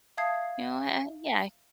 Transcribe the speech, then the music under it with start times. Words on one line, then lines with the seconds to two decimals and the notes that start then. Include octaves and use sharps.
you know, eh, yeah, I
0.17 E5 F5 A5 D#6 G#6 C7